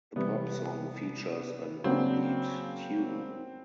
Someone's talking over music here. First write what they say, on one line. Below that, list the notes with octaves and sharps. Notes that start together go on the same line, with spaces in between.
The pop song features an upbeat tune.
C3 E3 G3 B3
C#3 F#3 A#3 C4 D4